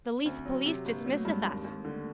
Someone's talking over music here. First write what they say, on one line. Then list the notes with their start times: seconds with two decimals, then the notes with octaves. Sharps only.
The Leith police dismisseth us.
0.21 C#4
0.25 D2 C4
0.46 F#3
0.66 C3
0.85 G1 A#3
1.00 A#3
1.06 F#3
1.15 A3
1.25 G2 G3
1.30 G#3
1.45 D#2
1.64 D#2
1.85 D3